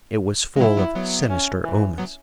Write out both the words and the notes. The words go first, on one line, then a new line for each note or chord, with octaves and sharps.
It was full of sinister omens.
G#3
C#3 F#3 E4
F#3 B3
F#3 B3
C#4
E3
F#3 B3